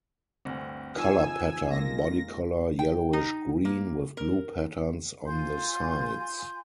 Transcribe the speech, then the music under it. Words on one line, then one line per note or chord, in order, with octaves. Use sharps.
Color Pattern: Body color yellowish green with blue patterns on the sides.
G1 D2 C4
F3 D#4 G#5 E6
G#3 A#3 F4 A#6
G5
D#4
A#3
A#4
F4 G#5 C6 G6